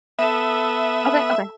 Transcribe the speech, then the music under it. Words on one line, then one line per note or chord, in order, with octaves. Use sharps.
Okay, okay.
B3 A4 E5 B5 D#6